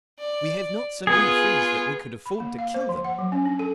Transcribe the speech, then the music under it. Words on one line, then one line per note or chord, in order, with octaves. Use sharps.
"We have not so many friends that we could afford to kill them."
D5
B3 F4 G#4
B5
A#3
F5
C5
F3
F#5
F#3
C#4
D4
A4